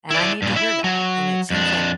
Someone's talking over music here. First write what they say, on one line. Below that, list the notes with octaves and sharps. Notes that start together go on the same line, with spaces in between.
And I need to hear that, and it seems like
E4 D5
G2 A#2
E4 E5
F#3
F2 D4